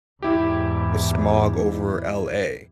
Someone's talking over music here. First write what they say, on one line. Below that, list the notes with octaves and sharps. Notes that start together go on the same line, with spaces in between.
the smog over LA.
E2 G#2 E4 G4